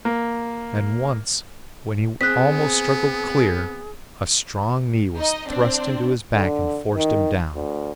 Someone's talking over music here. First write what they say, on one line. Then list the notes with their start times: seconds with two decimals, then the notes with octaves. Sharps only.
And once when he almost struggled clear, a strong knee was thrust into his back and forced him down.
0.05 A#3
2.21 B3 C4 G#4 D#6 F#6 B6
5.17 D#4 D#5
5.49 C4 D4
6.34 D3
6.95 D#3
7.55 D2